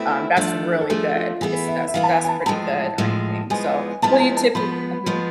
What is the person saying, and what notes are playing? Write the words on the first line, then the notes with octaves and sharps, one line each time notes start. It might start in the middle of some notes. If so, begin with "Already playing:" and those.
um, that's really good. It's that's that's pretty good or anything. So, who do you typi Mhm.
Already playing: B2 A3 C4 E4 E5
F3 A3 D4
A4
F3 A3 D4 G#4
F4
E3 B3 E4 G#4
E5
E5
E3 B3 E4 F5
A5
G#5
G#5
A5
B5
A2 F3 G#3 A5
A2 F3 G#3
F3 G#3 B3 E4 G#5
F3 G#3 B3 E4 A5
G#5
A5
A5
F3 G#3 B3 B5
F3 G#3 B3